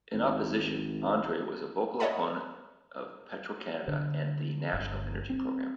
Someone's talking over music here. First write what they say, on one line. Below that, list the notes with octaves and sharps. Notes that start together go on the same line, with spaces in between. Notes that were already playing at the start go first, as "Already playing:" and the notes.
In opposition, Andre was a vocal opponent of Petro-Canada and the National Energy Program.
G#1
C#5 D#5 E5 F#5 A5 B5
D3
G1
C4